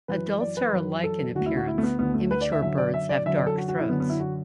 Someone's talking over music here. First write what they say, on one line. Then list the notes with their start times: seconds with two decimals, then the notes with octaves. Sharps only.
Adults are alike in appearance; immature birds have dark throats.
0.08 F#2 E3 B4
0.40 D5
0.57 B4
0.73 F#2 E3
1.04 A4
1.35 D3 F#4
1.41 D2
1.46 E4
1.57 F#4
1.67 E4
1.78 A3
1.83 B3
1.99 D2 D3 B3
2.14 A3
2.31 B4
2.41 D5
2.52 E5
2.62 F#2 D3 E5
2.78 D5
2.94 E5
3.09 D5
3.26 F#2 D3 E5
3.36 D5
3.47 A4
3.58 F#4
3.68 F#4
3.78 E4
3.88 F#2 B3
3.92 D3
4.00 B3
4.09 E4
4.20 F#4